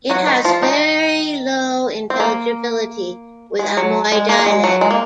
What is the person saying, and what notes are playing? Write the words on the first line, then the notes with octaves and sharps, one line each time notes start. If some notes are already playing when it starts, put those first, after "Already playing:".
It has very low intelligibility with Amoy dialect.
F#3 F#4
D#3 D#4
F3 F4
D#3 D#4
C4
A#3
G#3
F#3
G#3
A#3
A#3
G#3
F#3
G#3
A#3